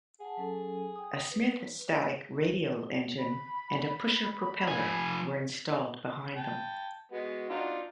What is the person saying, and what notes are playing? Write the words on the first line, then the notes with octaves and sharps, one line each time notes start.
A Smith Static radial engine and a pusher propeller were installed behind them.
G#4 F#5 A5
F#3 C#4 A4
G5 D#6
B4
B5
F3 G#5
G5 A5
G#3 B3 F#4
D4 D#4 F4